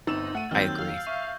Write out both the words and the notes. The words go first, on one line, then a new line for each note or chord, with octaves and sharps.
I agree.
G1 C4 D#4 E6 A6 E7
A3 F#5 D#7
D#2 D#3 F#3 C4 F6 G6
F5
E5 C#6